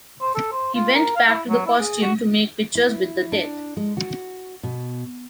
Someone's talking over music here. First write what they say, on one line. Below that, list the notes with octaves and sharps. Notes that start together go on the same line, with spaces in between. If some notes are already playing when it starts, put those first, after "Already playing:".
He went back to the costume to make pictures with the death.
C5
A4
C5
F4
A#4
F5
E4
F#3
E4
G#4
F#4
E4
D4
G#3
F#4
B2